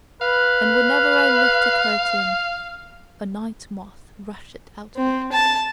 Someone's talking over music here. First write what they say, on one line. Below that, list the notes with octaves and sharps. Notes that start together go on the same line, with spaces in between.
And whenever I lift a curtain, a night-moth rusheth out of it.
B4 F5
C4
A5